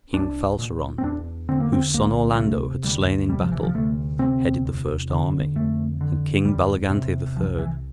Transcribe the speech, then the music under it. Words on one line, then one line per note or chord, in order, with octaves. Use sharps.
King Falseron, whose son Orlando had slain in battle, headed the first army, and King Balugante the third.
C2 D4
A#2
C4
E2 D4
D3 C4
A#3
C4
C2 A#3
A#3
C3 A3
D2 G3
C3 G3
F3
E3
F3
D2 A3
C3 C4
E2
D3
F2 A3
D3
E2 G3
C3
C2 F3
E3